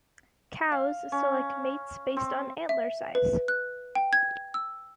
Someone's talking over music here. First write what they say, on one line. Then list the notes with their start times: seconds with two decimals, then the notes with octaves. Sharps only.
Cows select mates based on antler size.
0.72 F5
1.12 C#4
2.17 C4
2.69 E5
3.15 B4
3.48 F#6
3.95 G5
4.13 G#6
4.54 E6